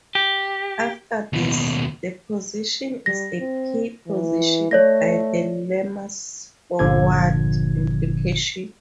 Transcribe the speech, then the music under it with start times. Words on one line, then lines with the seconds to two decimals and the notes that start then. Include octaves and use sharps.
After this, the position is a P-position by the lemma's forward implication.
0.15 G4
1.33 D#2 B2
3.06 G3 A#6
3.41 C4
4.07 E3
4.71 A3 C#5 D5 A#6
6.79 G1 A#2 D3 F3 G#6